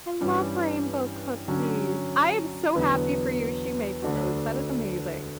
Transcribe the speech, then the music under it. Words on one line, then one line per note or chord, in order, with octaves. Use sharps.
I love rainbow cookies. I am so happy for you she makes those; that is amazing.
G2 E3 G3 C#4
D3 F#3 C#4
E2 D3 F#3 B3 E4
D2 D3 A3 D4 F#4